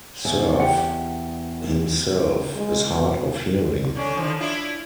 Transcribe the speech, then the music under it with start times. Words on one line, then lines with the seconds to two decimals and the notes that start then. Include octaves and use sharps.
Cerf himself is hard of hearing.
0.25 E2
0.60 G4 D5 F#5
2.56 G#3
2.94 B2
3.95 D3 C#4 D4
4.15 D3 D#3 F3
4.40 D4 E4 F4